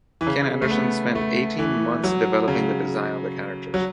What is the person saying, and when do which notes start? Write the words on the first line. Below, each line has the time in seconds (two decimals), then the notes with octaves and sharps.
Ken Anderson spent eighteen months developing the design of the characters.
0.21 E3
0.27 C#3
0.62 A3
0.71 B3
1.15 A3
1.59 E3
2.04 F#3
2.48 C#3
3.74 F#3